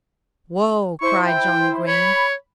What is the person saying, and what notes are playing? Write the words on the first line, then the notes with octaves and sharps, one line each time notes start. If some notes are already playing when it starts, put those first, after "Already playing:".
"Whoa!" cried Johnnie Green.
E4 C5 C#6
G5
C#5 B5